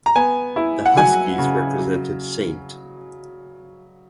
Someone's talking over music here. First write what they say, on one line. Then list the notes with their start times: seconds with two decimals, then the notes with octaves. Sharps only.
The Huskies represented St.
0.06 A#5
0.16 B3 G#5
0.56 E4
0.86 F#5
0.97 F#3 G#5
1.38 C#3
1.79 F#3